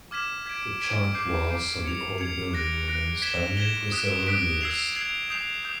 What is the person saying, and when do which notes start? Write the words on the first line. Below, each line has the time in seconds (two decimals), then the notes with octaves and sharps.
The charred walls of the old building remained standing for several years.
0.11 D6 F6 G#6 B6 E7
0.46 G#6 B6 D7
0.80 G#6 B6 D7
1.14 D6 G6 C7
1.49 D6 G6 C7
1.84 G#6 C#7 F7
2.18 G#6 C#7 F7
2.53 F#6 A#6 D7
2.88 F#6 A#6 D7
3.22 G#6 B6 E7 G7
3.57 G#6 B6 E7 G7
3.92 D#6 F#6 B6 D7
4.27 D#6 F#6 B6 D7
4.61 E6 G#6 C7 F7
4.96 E6 G#6 C7 F7
5.30 D#6 G6 C7 F7
5.65 D#6 G6